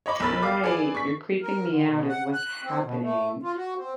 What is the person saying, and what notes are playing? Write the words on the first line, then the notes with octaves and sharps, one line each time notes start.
Right. You're creeping me out is what's happening,
C#5 D#5 B5 D6
B1 A#4 B5 E6 A6
F5 D6
G#4 B4 D5 G#5
C#6 B6
A#4
D3
B2
F#5
F#6
C4
B2
A3
F4
F#4
C4